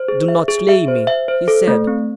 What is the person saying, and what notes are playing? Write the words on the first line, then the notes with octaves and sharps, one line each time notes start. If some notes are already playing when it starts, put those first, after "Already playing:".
"Do not slay me," he said.
Already playing: C5
G#4
E5
G#4
E5
C5
E5
C5
A4
A3
C4